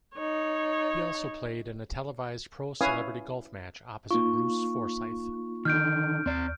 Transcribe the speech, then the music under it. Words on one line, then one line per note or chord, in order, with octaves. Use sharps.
He also played in a televised pro-celebrity golf match opposite Bruce Forsyth.
D#4 C#5
C#4 E4 B4 F5 G#5 D#6
A#3 D#4 F4 C#6
D3 D#3 F6 G6 D7
D#2 C4 D5